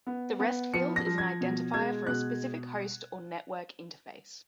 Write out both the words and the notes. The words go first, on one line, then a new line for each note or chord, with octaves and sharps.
The rest field is an identifier for a specific host or network interface.
B3
B3
F3 C#7
A#6
F3
G#6
B2
G#3 G#6
B2 F#6